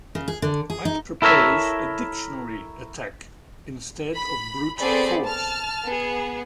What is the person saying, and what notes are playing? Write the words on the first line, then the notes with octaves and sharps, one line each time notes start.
I'd propose a dictionary attack instead of brute force.
C#3
G#4
D3
G#4
D#4
E4 A4 A#4 C#5 E5
B5
B3 C4 G#4 A4 D5 B5
A5 F6
B3 G#4